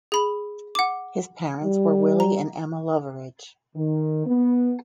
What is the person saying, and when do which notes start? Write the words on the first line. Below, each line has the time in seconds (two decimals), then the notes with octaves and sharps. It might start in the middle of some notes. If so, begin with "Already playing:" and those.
His parents were Willie and Emma Loveridge.
0.12 G#4 B5 F#7
0.75 F#5 D6
1.64 G3
2.20 A#5
3.75 D#3
4.26 B3